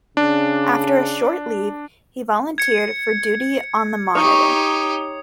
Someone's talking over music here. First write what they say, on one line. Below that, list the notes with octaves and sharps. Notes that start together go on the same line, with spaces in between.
After a short leave, he volunteered for duty on the "Monitor".
C#3 D4
G#6 C#7
D#4 G4 C#5 A#5 D#6